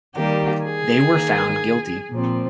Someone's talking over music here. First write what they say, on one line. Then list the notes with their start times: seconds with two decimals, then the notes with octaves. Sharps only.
They were found guilty.
0.15 D#3 G3 A#3 G4
0.65 G#4
1.13 D#3 A#3
2.12 A#2 F3 C4